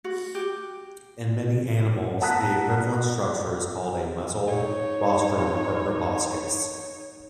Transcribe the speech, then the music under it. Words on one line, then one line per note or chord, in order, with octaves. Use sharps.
In many animals the equivalent structure is called a muzzle, rostrum or proboscis.
F#4
G4
F#5 A5 A#5 D#6 F#6 B6
D#4 C#5